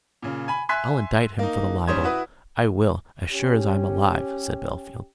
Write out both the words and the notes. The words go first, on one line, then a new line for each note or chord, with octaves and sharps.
"I'll indict him for the libel--I will, as sure as I'm alive," said Bellfield.
A#2 C#3
G#5 B5
E5 G#5 C6 E6 F#6 B6
A#3 D#4
G#2 G3 C#4 C5 D#6 G#6
E4 F#4 B4 D#6
C#4 G4